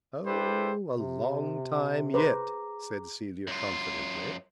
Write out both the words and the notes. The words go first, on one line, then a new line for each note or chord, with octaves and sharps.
"Oh, a long time yet," said Celia confidently.
D4 E4 G4 A4 B4 C5
C3
G#4 B4 C5 A#5 D6
F#2 F4